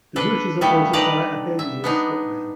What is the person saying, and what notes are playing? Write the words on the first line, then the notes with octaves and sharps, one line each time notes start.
The route is operated by Abellio ScotRail.
D4 A4 B4
A#2 G3 A3 B3
D3 D#4 B4 D5 A5 A#5
E5
B3 D4 D#4